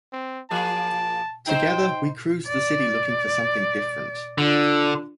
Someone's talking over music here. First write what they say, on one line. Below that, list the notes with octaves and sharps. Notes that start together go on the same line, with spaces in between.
Together, we cruised the city looking for something different.
C4
F3 A#3 G#4 A5
D#4 C5 G5
D5
D3 D4 F4 D5